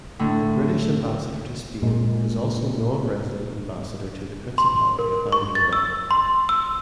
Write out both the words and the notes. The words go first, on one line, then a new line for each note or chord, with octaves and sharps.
The British ambassador to Spain is also non-resident ambassador to the Principality of Andorra.
A2 D3
A#2 G#3
C6
A#4
C#6
A6
E6
C6
E6